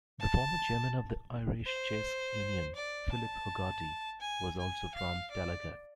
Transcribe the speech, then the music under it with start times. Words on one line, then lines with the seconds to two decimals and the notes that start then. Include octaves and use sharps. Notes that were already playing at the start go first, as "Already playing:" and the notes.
The former Chairman of the Irish Chess Union, Philip Hogarty, was also from Tallaght.
0.20 A5
1.66 C5
2.75 D5
3.12 A5
4.21 G#5
4.58 G#5
4.95 F5
5.31 D5